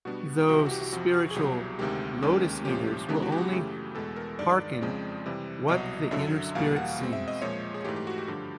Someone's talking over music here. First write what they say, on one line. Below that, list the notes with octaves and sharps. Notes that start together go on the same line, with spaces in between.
Those spiritual lotus-eaters will only hearken what the inner spirit sings.
B2 G3 B3 D4 F#4
C2 C3 E3 F#4
G4
F#4
G4
F#4
F2 C3 F3 F#4
F#4
G#4
C2 B2 F#3 G4
D2 C3 D#3 G#3 G4
D#2 D#3 G#3 C#4
C2 A#2 F3 G#3 C#4 G4
C#3 E3 G#3 B3 D4 G4
F#4
G4
F#4
F#2 C#3 E3 A3 G4
E2 B2 G#3 A4
A#4
G2 D#3 G#3 D5
F2 C#3 F3 G#3 C4
C3 E3 G3
C2 B2 F#3 D#5
F#2 D3 F#3 E5
E2 B2 G3 A#3 F5
F#5
B2 G#3 C4
E5
D#5
A#2 F3 G#3 C#5
G#4
G#2 E3 A3 G4
G4
F#4
G4
G2 D3 F3 G4